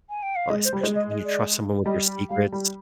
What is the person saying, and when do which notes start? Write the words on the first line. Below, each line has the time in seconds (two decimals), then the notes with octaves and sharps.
well, especially when you trust someone with your secrets.
0.10 G#5
0.23 G5
0.36 F5
0.50 G#3 D#5
0.65 C5
0.73 G3
0.80 C5
0.83 G#3
0.95 D#5
1.10 D#5
1.25 D5
1.85 G3 D#5
2.30 G3 F5
2.52 G3